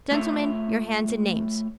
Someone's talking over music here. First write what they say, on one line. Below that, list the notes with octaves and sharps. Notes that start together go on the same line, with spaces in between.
Gentlemen, your hands and names.
A3 F4 C#5 E5